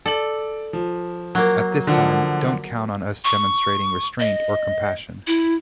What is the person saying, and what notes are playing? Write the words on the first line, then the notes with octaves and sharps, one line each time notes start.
At this time, don't count on us demonstrating restraint or compassion.
A4 D5 F#7
F3
F#3 A#3
D3 F3 F#5
C#6
D#5
E4